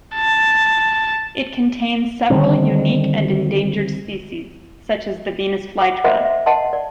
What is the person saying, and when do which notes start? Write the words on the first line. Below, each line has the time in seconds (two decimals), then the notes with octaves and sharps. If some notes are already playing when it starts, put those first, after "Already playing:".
It contains several unique and endangered species, such as the venus flytrap.
0.15 A5
2.30 D3 D#3 G3 C4
5.79 F#5 D6
6.05 C5 D#5 E5 F#5 B5 C6
6.25 E5
6.46 D#5 F#5 A5 C6
6.73 D5